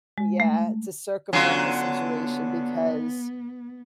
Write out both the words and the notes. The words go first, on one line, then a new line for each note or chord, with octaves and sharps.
yeah, to circumvent the situation because
G#3
A3
D3 F#3 B3 C#4 F4